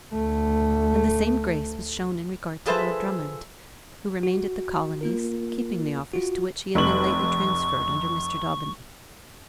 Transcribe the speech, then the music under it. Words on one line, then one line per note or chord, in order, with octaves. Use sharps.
And the same grace was shown in regard to Lord Drummond, who remained at the Colonies, keeping the office to which he had been lately transferred under Mr. Daubeny.
D2 A3
F3 G#4 A4 B4 C5 E5
F#4
A#3 F4 A#4
F4 F#4
F1 C#6 F#7